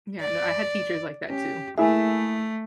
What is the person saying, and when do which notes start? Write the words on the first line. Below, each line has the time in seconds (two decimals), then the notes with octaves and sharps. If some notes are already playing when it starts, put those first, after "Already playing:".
Yeah, no, I had teachers like that too.
0.20 D5
1.30 C#4 G4
1.78 A3 A#3 E4 G#4 E5 G#5